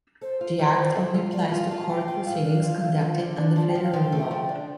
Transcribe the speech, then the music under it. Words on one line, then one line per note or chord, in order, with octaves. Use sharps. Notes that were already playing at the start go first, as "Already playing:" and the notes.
The Act only applies to court proceedings conducted under federal law.
A4 C5
F4
G3
F4
A4
F4
F4 D5
F4 F5
F4 A5
F4 G5
F4 G5
A2 F5
D4
F3
A3
F3
D3
D4
F3 A5
G5
F3
F5
F3 G5
A3
F3
D4